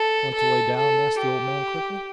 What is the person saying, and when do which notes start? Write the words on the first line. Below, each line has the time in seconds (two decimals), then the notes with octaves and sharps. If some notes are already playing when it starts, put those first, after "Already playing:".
"Want to lay down?" asked the old man quickly.
Already playing: A4
0.34 A4
0.76 A4
1.18 G4